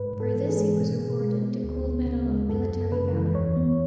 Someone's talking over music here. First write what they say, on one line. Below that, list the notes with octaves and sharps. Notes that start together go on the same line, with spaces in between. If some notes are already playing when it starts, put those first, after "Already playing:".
For this he was awarded the Gold Medal of Military Valor.
Already playing: G#2 B4
G#2
A4
E3
G#4
G#3
B2
B2
G#3
B3
D2
B3
C#3
G#3
F#2 A4
F#2
C#3 B4
E3
E2 C#5
B3